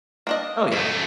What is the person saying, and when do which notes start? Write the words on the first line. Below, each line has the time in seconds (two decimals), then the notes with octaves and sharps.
Oh, yeah.
0.27 A#3 D4 D#5
0.72 F#2 A3